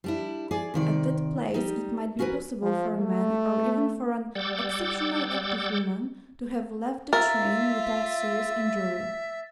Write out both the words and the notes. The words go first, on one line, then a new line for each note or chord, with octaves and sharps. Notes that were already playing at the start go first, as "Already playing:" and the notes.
At that place it might be possible for a man, or even for an exceptionally active woman, to have left the train without serious injury.
G3 D4 E4
G#4 D5
C3 D#3 D5
G3 D#4
C#4 F#4 G#4 A#4 B4
F3
A3
G3 F#5 D6 E6 G6 A6
F4 A#4 E5 A6